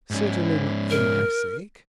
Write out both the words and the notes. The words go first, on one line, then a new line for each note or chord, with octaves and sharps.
"Certainly not for my sake."
G#2 C#4
A#4